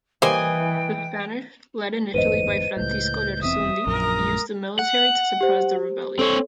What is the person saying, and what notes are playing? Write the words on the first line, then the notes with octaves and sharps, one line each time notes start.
The Spanish, led initially by Francisco Lersundi, used the military to suppress the rebellion.
E3 G3 A#3 C5 D#5 G5 G#5
G1 E2 G#2 B4 C5 D#5 D#7
C#2 A2 G6
F1 E2 C4 E5 D#6
A#1 F#2 A#4
F#5
G4 C5
C4 A4 C#5